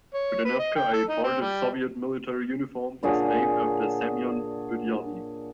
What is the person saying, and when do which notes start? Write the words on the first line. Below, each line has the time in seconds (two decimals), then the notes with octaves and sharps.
Budenovka, a part of Soviet military uniform, is named after Semyon Budyonny.
0.14 C#5
0.45 B4
0.59 D#5
0.76 G5
0.93 A4
1.09 D#4
1.24 C4
1.41 G3
3.03 A#2 D3 G#4 C#5